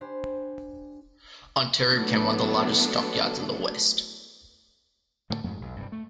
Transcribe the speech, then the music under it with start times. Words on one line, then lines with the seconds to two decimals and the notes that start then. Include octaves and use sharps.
Ontario became one of the largest stockyards in the West.
0.01 D4 G4 C5 G#5 B5
1.90 E3 F#3 A3 B3 D4 A4
5.30 A2 D3 A3
5.44 F2 G#2
5.61 B1
5.76 G2 C3 G3
5.92 A3